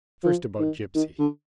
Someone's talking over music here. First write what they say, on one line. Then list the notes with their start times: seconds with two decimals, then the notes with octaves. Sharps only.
First about Gypsy.
0.24 F3
0.59 D#3
0.95 D#3
1.19 D3